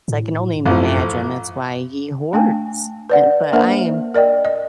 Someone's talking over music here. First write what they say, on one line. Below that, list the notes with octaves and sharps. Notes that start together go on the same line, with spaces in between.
So I can only imagine that's why he hoards. And but I am
A2
A1 F#2 F3
A3 D4 G5 G#5
B4 D5 F#5
A#3 D4 A#4 C5 E5 F#5
A#4 D5 D#5 G5
D#5